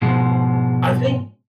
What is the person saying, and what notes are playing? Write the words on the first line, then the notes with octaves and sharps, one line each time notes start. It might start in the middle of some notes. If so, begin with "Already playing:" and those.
I think
G#2 B2 F3 G#3